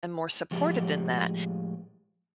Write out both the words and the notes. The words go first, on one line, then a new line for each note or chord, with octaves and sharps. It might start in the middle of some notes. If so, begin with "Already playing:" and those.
and more supported in that.
A2 F3 G#3 G4